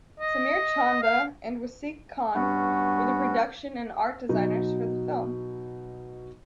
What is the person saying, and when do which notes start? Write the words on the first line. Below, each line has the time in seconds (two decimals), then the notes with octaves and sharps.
Sameer Chanda, and Wasiq Khan were the production and art designers for the film.
0.20 D#5
1.02 F5
2.35 G2 B3 C#4 F#4
4.29 B2 F#3 D#4